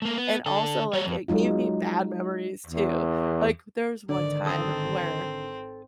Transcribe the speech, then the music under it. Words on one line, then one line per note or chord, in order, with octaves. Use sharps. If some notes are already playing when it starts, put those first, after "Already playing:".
And also, like, it gave me bad memories too. Like, there's one time where
A3 A#3
B3
D3 A4
G3 C#5
F2
F#3 G#3 D#4 F4
E2
G#1 G#2 D3 D#3 D5
C4 A4 D#6